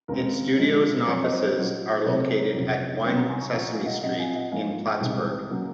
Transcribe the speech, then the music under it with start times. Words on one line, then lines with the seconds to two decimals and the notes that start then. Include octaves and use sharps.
Its studios and offices are located at One Sesame Street in Plattsburgh.
0.08 D#2 C#3 G#3 C4 A#4
0.58 A#2 F3 G#3
1.07 F#2 F3 C4 A#4 C#5
1.23 C5 D#5
1.40 C5 D#5
1.57 A#2 F#3 C#4
2.05 C3 F#3 C4 A#4 C#5
2.22 G#4 C5
2.38 A#4 C#5
2.55 F2 C3 F#3 C#4
3.04 C2 C3 D#3 F#3 C#4 A#4 C#5
3.16 F#5 A#5
3.29 G#5 C6
3.41 A#5 C#6
3.53 A#2 F3 A#3 F#5 A#5
3.69 F5 G#5
3.80 F5
3.86 D#5 F#5
4.02 A#2 F#3 C4 D#5 F#5
4.19 F5 G#5
4.35 D#5 F#5
4.52 G#2 F3 A#3 F5 G#5
5.01 C2 C3 D#3 G#3
5.51 C#3 F#3 A#3